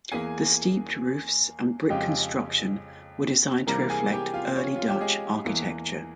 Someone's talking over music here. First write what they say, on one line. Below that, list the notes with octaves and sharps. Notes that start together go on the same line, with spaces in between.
The steeped roofs and brick construction were designed to reflect early Dutch architecture.
E2 E3 A#3 G#4 G#5
F2 C#3 F3 G#3 G4 G5
C3 E3 G3 A#3 A#4 A#5
G#4 G#5
G4 G5
F4 F5
C#4 C#5
F4
G4
G#3 G#4
E2 E3 A#3